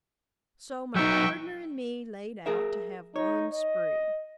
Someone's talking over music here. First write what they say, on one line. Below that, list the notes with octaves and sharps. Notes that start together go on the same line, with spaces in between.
So my pardner and me layed out to have one spree.
F#3 D#4 E5 G5 C#6
G#4 A#4 E5
D#4 C#5
D#5